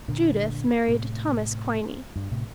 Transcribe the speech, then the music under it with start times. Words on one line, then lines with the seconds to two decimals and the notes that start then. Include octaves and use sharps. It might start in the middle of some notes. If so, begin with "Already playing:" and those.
Judith married Thomas Quiney.
0.08 A#2 D3
0.88 A2 C3
2.16 G2
2.31 A2 C3